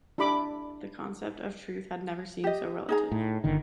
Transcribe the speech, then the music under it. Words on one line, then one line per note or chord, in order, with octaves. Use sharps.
The concept of truth had never seemed so relative.
D4 E4 G4 B5 D6
G4 D#5
D#4 G#4 A#5
A2
G1 D3 D#3